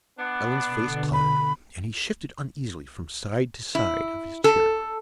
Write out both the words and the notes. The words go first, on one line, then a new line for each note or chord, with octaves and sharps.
Allan's face clouded, and he shifted uneasily from side to side of his chair.
B3 D4
B2 D3
B5
E4
A4